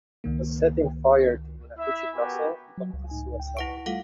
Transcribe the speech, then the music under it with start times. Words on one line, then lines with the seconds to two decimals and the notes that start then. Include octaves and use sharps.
Setting fire to Minakuchi Castle, he committed suicide.
0.24 C#2 D#3 A#3
1.78 E4 E5
2.14 B3 F#4 G4 A#4 G#5 B5
2.78 F#3
2.93 C#2
3.10 A2 D#4 G#5
3.40 G5
3.57 D2 E4 B4 F#5 C#6 D7
3.86 G3 A3 F4 A4 F5 F#5